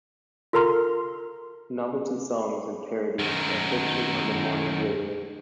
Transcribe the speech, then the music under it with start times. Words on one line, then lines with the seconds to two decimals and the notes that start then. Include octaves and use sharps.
Novelty songs and parodies are fixtures on morning radio.
0.53 F4 A4 A#4 A#5 C6 F6
3.19 F#2 D#3